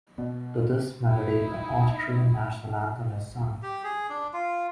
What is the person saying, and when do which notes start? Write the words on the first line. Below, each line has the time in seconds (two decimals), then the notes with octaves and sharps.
To this melody the Austrian national anthem is sung.
0.18 B2
1.03 D#4 E4
3.63 G4
3.84 G#4
4.09 D4
4.33 F4